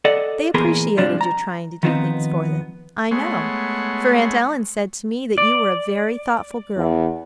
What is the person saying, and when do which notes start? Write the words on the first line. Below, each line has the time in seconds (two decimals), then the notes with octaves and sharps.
They appreciated your trying to do things for them, I know, for Aunt Ellen said to me that you were a very thoughtful girl.
0.05 A4 D5 D#5 F#5
0.54 A#2 E3 B3 G#4 A#4 C6
0.97 G#2 C3 F3 G3 D4
1.21 A#5
1.83 D#3 F3 B3 C4 D4 D#4
3.11 G#3 A3 B3 C#5 F#5 C6
5.38 D5
6.76 E2